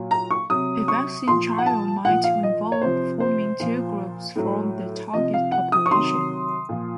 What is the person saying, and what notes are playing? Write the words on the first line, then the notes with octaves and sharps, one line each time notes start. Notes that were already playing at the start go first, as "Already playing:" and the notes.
A vaccine trial might involve forming two groups from the target population.
Already playing: A#2 F#3
A#5
C#6
C3 F#3 D#6
C#6
A#2 F3 C6
F#5
A5
A#2 F3 F#5
F5
D#5
C#5
C3 F3 C5
C5
A#2 F3
A2 F#3
C3 F3 D#5
F5
F#5
D#6
C#6
C3 D#3 F#3 C6
A#2 F3